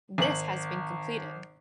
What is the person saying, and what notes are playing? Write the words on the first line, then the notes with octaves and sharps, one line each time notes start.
This has been completed.
G#1 F#7